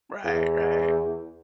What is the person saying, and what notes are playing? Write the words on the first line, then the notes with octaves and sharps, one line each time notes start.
Right, right.
E2